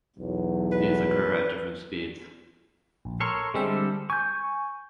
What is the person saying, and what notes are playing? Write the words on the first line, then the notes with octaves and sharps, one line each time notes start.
These occur at different speeds.
B1 E2 F#3
B4
A#1
A4 A#4 C#5 C6 C#6
D3 G3 G#3 C4 A4 E5
G#5 C#6 G6